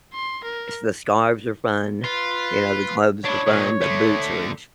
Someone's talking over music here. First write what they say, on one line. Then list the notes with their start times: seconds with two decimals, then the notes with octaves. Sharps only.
It's the scarves are fun. You know, the gloves are fun. The boots are in sh
0.13 C6
0.44 A#4
2.04 F4 B4
3.25 D4 E4 C#5
3.46 A#2 D#3
3.81 D3 A3